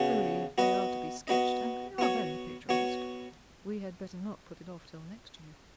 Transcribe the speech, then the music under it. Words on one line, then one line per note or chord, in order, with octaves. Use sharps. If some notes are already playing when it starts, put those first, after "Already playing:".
Truly, if they are to be sketched--and they are very picturesque--we had better not put it off till next year.
Already playing: C#3 B3 F#4
B3 F#4 B4 D#5
B3 F#4 B4 D#5
B3 F#4 C#5
B3 F#4 C#5